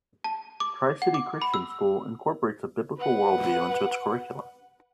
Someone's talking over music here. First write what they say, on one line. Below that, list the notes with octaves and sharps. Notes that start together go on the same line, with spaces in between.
Tri-City Christian School incorporates a biblical worldview into its curriculum.
A5
D6
F#5
D6
B5
E6
B4 F#5